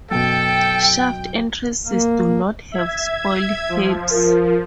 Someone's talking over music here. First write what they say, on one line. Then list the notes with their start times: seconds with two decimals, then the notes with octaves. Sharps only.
Shaft entrances do not have spoil heaps.
0.11 F#2 B2 A4 G5
1.87 A#3
2.72 E5 G#6
3.69 F3
4.11 F4 A#4